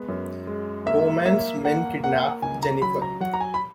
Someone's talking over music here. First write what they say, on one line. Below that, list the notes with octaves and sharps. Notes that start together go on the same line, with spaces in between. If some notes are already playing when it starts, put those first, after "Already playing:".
Bowman's men kidnap Jennifer.
Already playing: G#3 B3
F#2
G#3
A#3 E5
A#3 E5
A#3 F#5
A#3 F#5
C#2 G#5
A#5
F#3 B5
A#5
F#3 F#5
A#5
G#5
B5